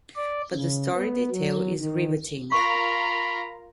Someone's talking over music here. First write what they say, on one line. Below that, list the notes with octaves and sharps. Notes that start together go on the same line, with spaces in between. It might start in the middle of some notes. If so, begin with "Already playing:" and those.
But the story they tell is riveting.
D5
C#3
B3
F#3
D#3
F4 A#4 A#5 B5 C#6